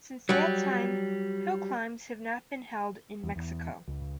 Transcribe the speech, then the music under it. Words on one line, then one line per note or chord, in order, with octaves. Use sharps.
Since that time, hillclimbs have not been held in Mexico.
F#3 G3
E2
E2
C#2